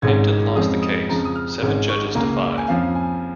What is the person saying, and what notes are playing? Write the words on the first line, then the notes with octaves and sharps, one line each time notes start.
Hampden lost the case, seven judges to five.
G#1 G#2 G#3 C#4 G#6
F2 F3 G#3 C#4 D#6
D#6
F2 C#3 F3 A#5
D#6
F6
G#1 G#2 G#3 C#4
C#6
C#2 C#3 A#3 A#5
G#5
F2 F3 C#4 F5
G#5